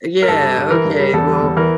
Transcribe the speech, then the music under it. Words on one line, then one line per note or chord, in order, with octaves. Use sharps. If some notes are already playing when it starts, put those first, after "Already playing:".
yeah, okay, well,
A#4
G2 A4
G3
G2
E3 A#4
G2
G3
E2 A4
G3
E2
E3 A#4